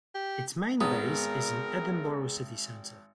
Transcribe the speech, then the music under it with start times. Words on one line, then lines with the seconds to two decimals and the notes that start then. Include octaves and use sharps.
Its main base is in Edinburgh city centre.
0.15 G4
0.81 G#1 B3 G#4 A#4 A#5 D#6